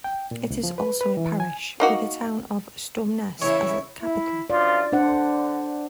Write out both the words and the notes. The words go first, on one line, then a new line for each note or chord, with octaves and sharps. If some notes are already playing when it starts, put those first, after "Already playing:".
It is also a parish, with the town of Stromness as its capital.
G5
A#2
C#2
F3
B4
B4
E3
G#5
A#3 D#4 F#4
C#3 E3 E4 C#5
E4
F#2 F3 F4 D5
D3 D4 C5 F#5